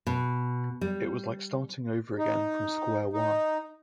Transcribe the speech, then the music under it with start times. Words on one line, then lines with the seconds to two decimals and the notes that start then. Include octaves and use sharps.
It was like starting over again from square one.
0.07 B2
0.81 G3
2.18 D#4
3.13 D#4